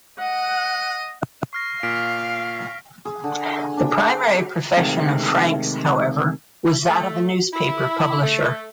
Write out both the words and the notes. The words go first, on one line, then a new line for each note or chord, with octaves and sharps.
The primary profession of Franks, however, was that of a newspaper publisher.
D#5 F#5
C#6 F6 A#6 C7
A#2 F5 F6 B6 D7
G#4
D3
G#5
D4
G5
C3 D#3 G#3 A3 C4
A3
E4
A3